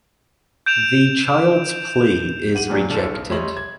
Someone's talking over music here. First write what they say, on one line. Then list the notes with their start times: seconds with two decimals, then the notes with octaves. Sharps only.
The child's plea is rejected.
0.66 G6 D7 E7 F7
2.55 F#5 D#7 F#7
2.70 A#2 F#3 D4
2.90 D1 D3 A4
3.14 B1
3.29 G3 A3 C#5 D#5 C6 F#7
3.57 G#6